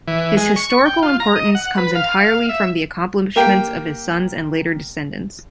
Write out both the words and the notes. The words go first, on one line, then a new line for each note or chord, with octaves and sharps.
His historical importance comes entirely from the accomplishments of his sons and later descendants.
E3
G#3
C#6
G5
F4
A#5
D#5
F#5
B4
F5
F5
E5
A#3 G4 A#4 G5